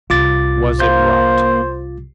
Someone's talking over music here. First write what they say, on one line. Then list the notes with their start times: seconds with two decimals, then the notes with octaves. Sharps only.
Was it right?
0.10 C2 F4 D6 A6
0.80 A#3 C5 F5 G6